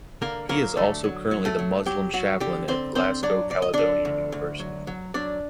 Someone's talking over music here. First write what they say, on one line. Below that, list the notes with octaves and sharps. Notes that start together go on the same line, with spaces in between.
He is also currently the Muslim Chaplain at Glasgow Caledonian University.
D3 A#3 A#4
F#3 A#3 A#4
D3 A3 A4
F#3
F#3
A3 A4
F#3
F#3 G4
F#3 F#4
D3 G4
D3 C4 C5
D3 C4 C5
F#3 D4 D5
D2 D5
D#5
D3 D4 D5
D2
D2
F#3
F#3
F#3 D4 D5